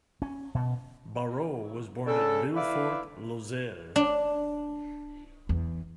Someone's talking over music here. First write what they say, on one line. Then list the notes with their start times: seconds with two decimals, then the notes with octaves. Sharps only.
Barrot was born at Villefort, Lozère.
0.22 C#4
0.55 B2
2.06 C#3 D4 A4
2.55 E4 B4 D5 E5 F5
3.96 D4
5.49 E2